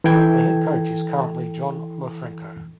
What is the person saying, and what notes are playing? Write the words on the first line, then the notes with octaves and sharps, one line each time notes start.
The head coach is currently John Lofranco.
E3 E4 A4 G5 G#6